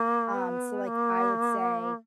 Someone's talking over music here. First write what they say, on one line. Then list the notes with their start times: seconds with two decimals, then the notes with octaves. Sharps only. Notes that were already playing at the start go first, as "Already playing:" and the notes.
Um, so like, I would say
Already playing: A#3
0.34 B3
0.87 A#3